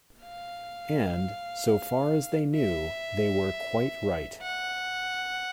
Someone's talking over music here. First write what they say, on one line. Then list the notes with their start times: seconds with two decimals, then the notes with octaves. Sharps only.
And, so far as they knew, they were quite right.
0.23 F5
2.56 E5
4.42 F#5